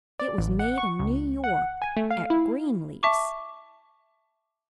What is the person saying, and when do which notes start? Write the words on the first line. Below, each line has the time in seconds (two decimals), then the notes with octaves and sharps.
It was made in New York at Greenleaf's.
0.19 D5
0.38 A1
0.59 F#5
0.78 C#6
0.99 C#2
1.44 F#5
1.82 G#5
1.97 A3
2.11 F5
2.30 E4
3.03 E5 A5 C#6 D6